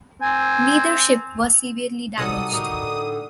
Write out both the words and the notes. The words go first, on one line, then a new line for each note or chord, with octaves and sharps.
Neither ship was severely damaged.
C4 G#5
C3 G3 D#4 F#4 A4 C#5 D5 D#6
A2 D3 F#4 G4 A#4